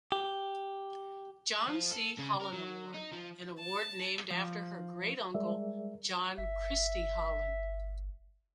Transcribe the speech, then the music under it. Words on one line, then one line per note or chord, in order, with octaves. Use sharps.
John C. Holland Award, an award named after her great uncle John Christie Holland.
G4
F3
A4
C#3
A#4
F#3
D#4
F3
A5
F3
G3 G#3 G#4 A#4 D5 E5
G1 E5